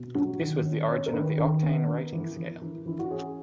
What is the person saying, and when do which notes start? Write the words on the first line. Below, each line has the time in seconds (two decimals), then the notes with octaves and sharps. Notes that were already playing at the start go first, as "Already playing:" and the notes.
This was the origin of the octane rating scale.
Already playing: B2
0.15 F#3 F#4
0.40 D#3
0.65 C#4
0.89 C#4 C#5
1.06 A#4
1.13 D#3 B4
1.38 D#3 A#4
1.63 B3
1.87 B3
2.13 E3
2.37 E3
2.62 E3
2.86 E3 E4
2.99 F#4
3.10 C#4 G#4